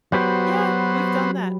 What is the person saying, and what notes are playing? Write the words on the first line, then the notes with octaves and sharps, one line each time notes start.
Yeah, we've done that.
F#3 B3 F#4 G4 B4 C5